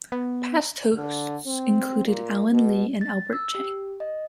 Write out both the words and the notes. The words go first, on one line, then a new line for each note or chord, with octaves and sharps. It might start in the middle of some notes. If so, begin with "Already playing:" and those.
Past hosts included Allen Lee and Albert Cheng.
B3
D3
C4
A#2
B2
A6
E6
G4
D#5